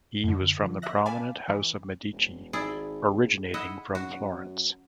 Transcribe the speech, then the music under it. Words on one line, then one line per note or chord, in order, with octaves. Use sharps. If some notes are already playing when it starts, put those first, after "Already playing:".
He was from the prominent House of Medici originating from Florence.
F#2 D3
D3 F3
D#5 E5 F#6 A#6
F5 G#5 A5 B5 D6
E3
E1
G#1 E4 G#4 D5
E4 D#5 F#5
F#2 F#4